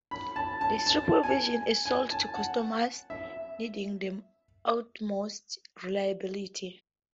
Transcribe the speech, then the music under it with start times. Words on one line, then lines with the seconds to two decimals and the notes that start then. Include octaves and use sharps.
The triple version is sold to customers needing the utmost reliability.
0.11 B5
0.36 A5
0.61 A5
0.86 A5
1.23 G#5
1.85 G#5
2.11 A5
2.35 F#5
3.10 E5